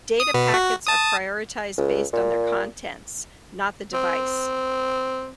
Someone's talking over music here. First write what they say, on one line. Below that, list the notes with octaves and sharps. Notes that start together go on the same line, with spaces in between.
Data packets are prioritized based on their contents, not the device.
D#6
B2 B3
F#4
A5 D#6
C#2
A#2
C4